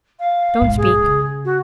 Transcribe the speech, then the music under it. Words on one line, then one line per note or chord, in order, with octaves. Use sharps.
Don't speak.'
F5
B1 G#2
G#4
C#3
F#4